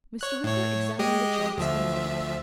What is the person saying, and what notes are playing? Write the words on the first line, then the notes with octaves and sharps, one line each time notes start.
Mr. Wicker examined the charts and nodded.
C#5 F#6
A2 C#5
G#3 G4 D#5
D2 F3 E5